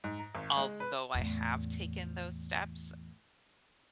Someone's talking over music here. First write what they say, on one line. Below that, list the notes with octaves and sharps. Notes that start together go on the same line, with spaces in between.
although I have taken those steps
G#2
A#5
G#1
G#3
B4
E2 A2